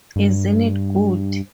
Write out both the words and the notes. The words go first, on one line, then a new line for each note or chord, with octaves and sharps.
Isn't it good!
G2